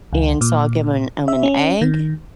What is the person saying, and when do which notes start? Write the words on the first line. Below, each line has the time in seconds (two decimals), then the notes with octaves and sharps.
And so I'll give m him an egg
0.13 C#2
0.41 A#2
1.28 E5
1.43 C#4
1.81 D#3